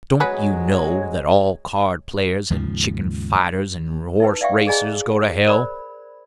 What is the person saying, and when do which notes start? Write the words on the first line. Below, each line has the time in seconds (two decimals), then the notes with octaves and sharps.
Don't you know that all card-players and chicken-fighters and horse-racers go to hell?
0.20 D2 F#3 G#3 F#4 G#4 B4 C#5
2.50 D#2 G#2 C#3 F3
4.20 D#4 E4 B4
4.41 D5 E5 F5 G5 C#6
4.67 G#4 D5 D#5 G#5 A#5
5.47 A#4 C5 D5 B5